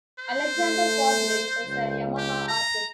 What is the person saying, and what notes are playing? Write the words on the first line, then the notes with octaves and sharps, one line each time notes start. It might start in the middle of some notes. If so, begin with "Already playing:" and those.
Alexander Kobrin is a Yamaha Artist.
C5
A3
C#2
G4
A#5